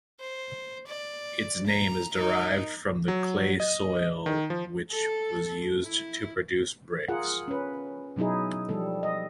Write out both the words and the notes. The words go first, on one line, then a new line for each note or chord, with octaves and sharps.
Its name is derived from the clay soil, which was used to produce bricks.
C5
D5
A#5
D#4 A#4
F#3
D#5
D#3
F3
A4
E4
F4 G#4 A#4 F#5
C#4 B4
B2 F#3 D#4 E4 G#4
F3 G3 A4
D#5